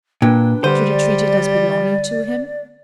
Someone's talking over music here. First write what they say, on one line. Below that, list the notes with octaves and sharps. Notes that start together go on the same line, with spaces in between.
Should he treat it as belonging to him?
A#2 D4 B4 G5
D3 G3 C5 D#7
D5